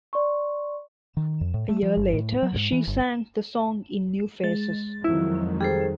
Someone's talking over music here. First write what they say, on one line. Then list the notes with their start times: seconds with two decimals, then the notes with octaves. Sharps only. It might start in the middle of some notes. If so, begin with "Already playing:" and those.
A year later, she sang the song in "New Faces".
0.13 D5 C6 C#6
1.17 D#3
1.41 F2
1.54 A2
1.69 A3
1.83 F3
1.97 G1
2.13 A2
2.42 F#3
2.55 G#2
2.72 E3
2.87 G1
4.44 G#3 A6
5.04 F2 D#3 F#3 E4
5.61 G3 G#4 A4 C5